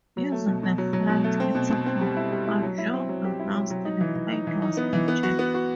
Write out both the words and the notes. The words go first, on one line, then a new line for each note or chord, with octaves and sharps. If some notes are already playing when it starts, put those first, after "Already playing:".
Using the flight intercom, Hanjour announced the flight was hijacked.
F#3
A3
B2
B2
F#3
F#3
B2
A3
C4
B2
B2
C4
G3
E4
G3
E4
F#3
E4
C4
F#3
G4
E4
F#3
F#3
D#4
E3
E3
D#4
E3
D#4
B3
E3
B3
F#4
B3
F#4